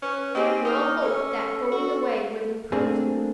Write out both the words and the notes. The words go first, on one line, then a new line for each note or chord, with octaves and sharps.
We all hoped that going away would improve you.
C#4 B4
A#3 C4 D#4 G4 G#4
D#4 D6 D#6 F6
C#4 A4
F#4
A3 A#3 C4 D4 G#4